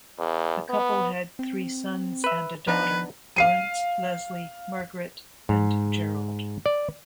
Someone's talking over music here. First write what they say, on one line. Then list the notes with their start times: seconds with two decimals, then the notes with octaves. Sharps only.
The couple had three sons and a daughter-Lawrence, Leslie, Margaret, and Gerald.
0.19 E2
0.70 B3
1.39 C4
2.24 B4 E5
2.67 F3 B3 D4 D#4 B4
3.36 F5 C7 D#7
5.49 G#2
6.66 D5